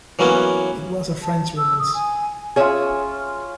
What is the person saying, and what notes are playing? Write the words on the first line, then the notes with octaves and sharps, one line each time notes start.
It was a Frenchwoman's.
E3 F#3 A#3 B3 C#4
A5
E6
D#6
G#5
C#4 F4 G#4 C#5 E5